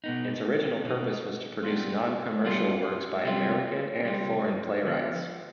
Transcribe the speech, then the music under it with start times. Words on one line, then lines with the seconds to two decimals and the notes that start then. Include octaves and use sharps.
Its original purpose was to produce non-commercial works by American and foreign playwrights.
0.04 B2 B3 D#4
0.84 B2 B3 D#4
1.63 G3 B3 D4 F4
2.44 G3 B3 D4 F4
3.24 C3 G3 C4 F4
4.04 C3 G3 C4 F4
4.84 D3 F3 B3